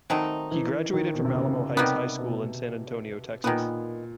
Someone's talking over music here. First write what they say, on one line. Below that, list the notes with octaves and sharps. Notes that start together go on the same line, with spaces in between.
He graduated from Alamo Heights High School in San Antonio, Texas.
D#3 F#3 A3 C4 D#4
E3
D#3
B2
C3
C#3
C3 D#3 G3 B3
B2
A#2 D#3 G#3 B3